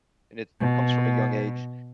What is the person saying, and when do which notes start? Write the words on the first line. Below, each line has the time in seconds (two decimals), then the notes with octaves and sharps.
and it comes from a young age-
0.60 B2